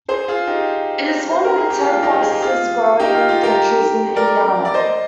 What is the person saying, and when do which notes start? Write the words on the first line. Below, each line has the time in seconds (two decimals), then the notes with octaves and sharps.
It is one of the ten fastest-growing counties in Indiana.
0.08 G#4 C5
0.28 F4 G#4
0.47 D#4 G4
1.31 C5
1.44 A#4
1.57 G#4
1.70 G4
1.83 F4
2.03 D#4 G4
2.22 G#4
2.32 G4
2.42 F4 G#4
3.00 D#4 G4
3.14 F4
3.29 F4
3.43 G4 A#4
4.16 A#4 D5
4.65 D5
4.74 C5 D#5